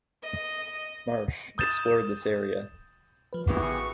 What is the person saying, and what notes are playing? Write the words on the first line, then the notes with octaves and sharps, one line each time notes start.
Marsh, explored this area.
D#5
D#6 G6 A6 E7
F3 B4
A1 E2 C#3 E3 B3 F#4 G4
G#4 C#6